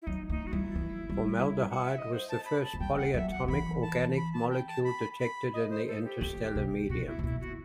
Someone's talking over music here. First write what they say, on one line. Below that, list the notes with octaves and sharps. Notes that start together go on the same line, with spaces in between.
Formaldehyde was the first polyatomic organic molecule detected in the interstellar medium.
E4
F#3 D#4
A3 D#4
F#4
G3 E4
E3
G3
F#5
E5
D#5
C5
A5
B5
A5
A3
G3 G5
F#5
F#3 E5
F#5
F#3
E3 B5
A5
B5
A5
G5
A5
B5
B5
D#5
C5
A4
G4
D#3
C3
B2 F#4
E4
C3
B2 E4
F#4